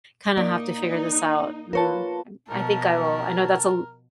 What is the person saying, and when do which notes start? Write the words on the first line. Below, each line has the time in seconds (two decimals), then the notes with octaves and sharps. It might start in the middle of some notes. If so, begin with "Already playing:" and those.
kinda have to figure this out, mm, and I think I will. I know that's a l
0.37 A#3 D#4 D5
1.73 F4 A#4 B4 C#5 A5
2.50 B2 F3 A#4 A5